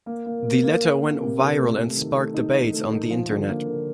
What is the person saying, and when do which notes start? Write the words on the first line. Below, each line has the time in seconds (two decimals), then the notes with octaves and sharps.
The letter went viral and sparked debates on the internet.
0.06 A#3
0.26 A#3
0.45 A#3
0.64 A#3
0.83 A#3
1.01 A#3
1.20 C3
1.40 C3
1.59 A3
1.78 A3
1.97 D#3
2.15 A3
2.34 D#4
2.54 D#4
2.73 A3
2.92 D#4
3.10 F3
3.29 D3
3.49 A#3
3.67 D3